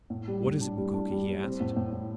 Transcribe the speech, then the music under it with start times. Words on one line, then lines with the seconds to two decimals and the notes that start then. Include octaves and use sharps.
"What is it, Mukoki?" he asked.
0.10 A2
0.28 G3
0.44 A2
0.61 D4
0.77 G3
0.94 D4
1.11 G3
1.27 G3
1.44 C4
1.60 A2
1.76 A2
1.92 A2